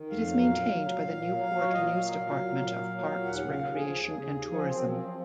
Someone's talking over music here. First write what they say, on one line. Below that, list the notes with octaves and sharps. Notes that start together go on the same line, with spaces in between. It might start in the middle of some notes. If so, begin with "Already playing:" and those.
It is maintained by the Newport News Department of Parks, Recreation and Tourism.
Already playing: D#3
F2 F5
F#3
A#2
F#3
F#3
A#2
A#2
F#3
F#3
C#5
A#2
D#5
A#2 F5
F#3
F#3
A#2
A#2
F#3
F#3
A#2
D#2 F#5
C#3
F5
D#2
G#4
F3
D#2
C#3
D#2
F3
F#2 C4
F3
C4
F3